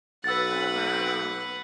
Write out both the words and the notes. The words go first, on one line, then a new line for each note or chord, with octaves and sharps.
Oh, wow.
B1 B4 F#5 E6 A6